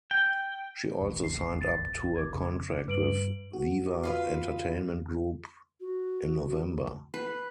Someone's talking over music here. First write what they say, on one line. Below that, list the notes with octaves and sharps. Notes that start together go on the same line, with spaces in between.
She also signed up to a contract with Viva Entertainment Group in November.
G5
D#1 A1
C7
A6
D6 G#6
F1 C#2 C#3
G2 B4 D7 F#7
F#4
F4 B4 F5
F#4
B4